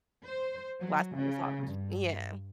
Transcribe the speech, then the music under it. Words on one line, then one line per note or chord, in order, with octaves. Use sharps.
last time we talked. Yeah.
C5
F#3
C#3
G2